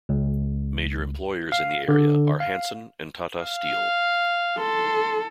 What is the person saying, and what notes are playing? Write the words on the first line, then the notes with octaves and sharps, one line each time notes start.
Major employers in the area are Hanson and Tata Steel.
C#2
F5
D3
F5
F5
A4 C6